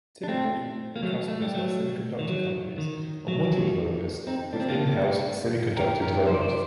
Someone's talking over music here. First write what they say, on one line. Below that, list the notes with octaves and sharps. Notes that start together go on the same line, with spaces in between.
Typically, the customers are semiconductor companies or module developers with in-house semiconductor development.
D4
A3 C4
A#3
F#3 A3
A3
G3
F#3 A3
D#3
F#3
D#3
F#3
C4 D#4
D4
C4
A#3 D4
G4 A#4
G4 A#4
C5
D5
C5
D5